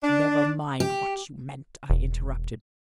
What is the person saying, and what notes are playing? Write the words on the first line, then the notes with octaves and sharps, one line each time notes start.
"Never mind what you meant!" I interrupted.
D4
G4
E1